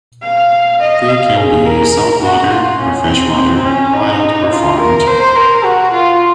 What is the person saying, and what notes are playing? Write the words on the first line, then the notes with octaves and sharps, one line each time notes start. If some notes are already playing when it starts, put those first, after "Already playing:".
They can be saltwater or freshwater, wild or farmed.
F5
D#5
F5
G#4
A#4
F#4
F4
C#4
C4
C4
C#4
D#4
F4
A#4
C5
A#4
F#4
F4